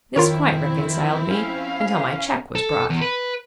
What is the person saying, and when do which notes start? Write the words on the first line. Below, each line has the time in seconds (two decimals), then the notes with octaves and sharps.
This quite reconciled me, until my check was brought.
0.16 F2 D#3 C4 E4 F4 A#4 C#5
1.31 C#4 F5
2.55 A4
2.90 E2
3.02 B4